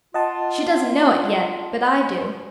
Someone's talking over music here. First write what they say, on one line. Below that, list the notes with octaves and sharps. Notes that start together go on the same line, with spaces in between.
She doesn't know it yet; but I do.
F4 D#5 F#5 A5